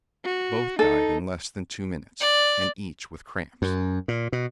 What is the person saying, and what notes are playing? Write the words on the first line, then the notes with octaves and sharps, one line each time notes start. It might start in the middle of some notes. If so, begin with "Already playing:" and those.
Both died in less than two minutes, and each with cramps.
F#4
D#4 A4
D5
F#2
A#2
B2